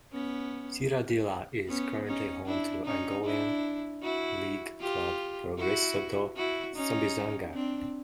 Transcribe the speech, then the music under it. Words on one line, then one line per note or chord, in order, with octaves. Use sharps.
Cidadela is currently home to Angolan league club Progresso do Sambizanga.
B3 C#4
B3 C#4
C#4 D#4
D4 E4
C#4 D#4
D4 E4
E4 F#4
F4 G4
E4 F#4
E4 F#4
C#4 D#4
C4 D4